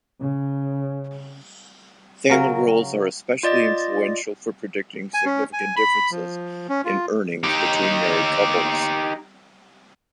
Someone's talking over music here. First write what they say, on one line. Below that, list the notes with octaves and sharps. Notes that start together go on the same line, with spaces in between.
Family roles are especially influential for predicting significant differences in earnings between married couples.
C#3
C#3 F#3 A#4
F4 D5 D#5 A6
G#5
C#4
G#5
B5
F3
C#4
F4
D#4 G4